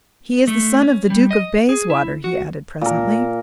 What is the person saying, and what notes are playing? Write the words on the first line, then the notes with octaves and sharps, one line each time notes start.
"He is the son of the Duke of Bayswater," he added presently.
A3
C#4
G3
D#5
G#4
E4
F#4
A#2 A#4